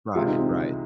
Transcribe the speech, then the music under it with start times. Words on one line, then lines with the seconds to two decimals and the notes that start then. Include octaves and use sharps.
Right, right.
0.15 C2 C3 G#3 F4
0.27 D#4
0.39 C4 F4